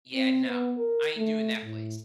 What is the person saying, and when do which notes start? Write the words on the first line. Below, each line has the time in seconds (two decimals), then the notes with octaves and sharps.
Yeah, no. I ain't doing that place.
0.14 C4
0.46 B3
0.77 A#4
1.17 A3
1.63 A2